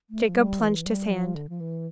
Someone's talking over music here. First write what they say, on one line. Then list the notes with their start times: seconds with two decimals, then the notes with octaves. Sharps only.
Jacob plunged his hand.
0.10 A3
0.28 F3
0.35 G3
0.60 E3
0.85 G3
1.10 F3
1.35 D3
1.49 F3
1.60 E3